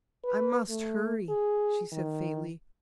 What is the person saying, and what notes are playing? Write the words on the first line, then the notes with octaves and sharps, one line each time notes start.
"I must hurry," she said faintly.
B4
A3
G#4
D#3